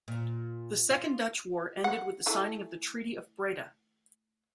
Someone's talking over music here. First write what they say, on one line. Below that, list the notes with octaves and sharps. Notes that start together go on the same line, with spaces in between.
The Second Dutch War ended with the signing of the Treaty of Breda.
A#2
F4
F#5
A3 E4 G#4